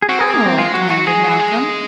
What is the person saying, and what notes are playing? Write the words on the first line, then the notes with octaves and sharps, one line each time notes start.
"How?" demanded Malcolm.
G#4
C4 F#4
G#4
A#3 G#4
C4
G#3 F4
F#4
F#3
F#4
G#3 G#4
F#3
G#3